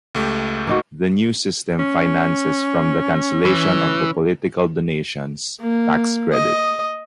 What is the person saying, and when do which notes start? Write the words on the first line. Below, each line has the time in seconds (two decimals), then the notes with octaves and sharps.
The new system finances from the cancellation of the political donations tax credit.
0.15 C#2 A3 G4
0.67 A#3 D#4 F#4
1.79 C#4
3.45 E3
5.61 A#3
6.33 D#5